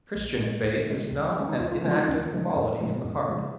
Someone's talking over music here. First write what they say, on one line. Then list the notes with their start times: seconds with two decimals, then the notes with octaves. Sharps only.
Christian faith is not an inactive quality in the heart.
0.15 A#1
0.40 A#2 G#3
0.63 D#2
0.87 D#3 G#3
1.11 D#2
1.35 D#3 G#3 C#4
1.49 D#4
1.60 D#2 F4
1.72 F4
1.83 C#3 F3 G#3 C#4
1.91 F4
1.96 D#4
2.08 D#2 C#4
2.33 C#3 F3 G#3
2.56 F2
2.81 C#3 F3 G#3
3.04 F2
3.28 C#3 F3 G#3